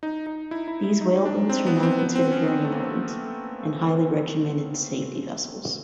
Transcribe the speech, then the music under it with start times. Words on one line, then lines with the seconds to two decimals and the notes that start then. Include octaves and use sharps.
These whaleboats are now considered very important, and highly regimented safety vessels.
0.03 D#4
0.27 D#4
0.51 E4
0.68 E4
0.84 E4
1.01 D#4
1.25 D4
1.49 C4
1.66 B3
1.83 C4
1.99 B3
2.16 C4
2.32 C#4
2.48 C4
2.65 A3
2.72 A#3